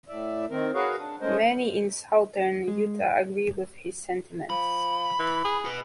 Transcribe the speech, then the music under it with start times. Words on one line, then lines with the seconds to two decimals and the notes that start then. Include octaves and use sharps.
Many in Southern Utah agree with his sentiments.
0.08 A2 D5 E5
0.50 D#3 C4 A#4
0.74 F#4 G#4 A#4 B4 C#5 F5
0.99 D4
1.21 G#3 A3 C#4 A#4 C5 D#5
2.68 G#3
4.50 F3 B5
5.19 E3
5.44 G#4
5.65 F#4 B4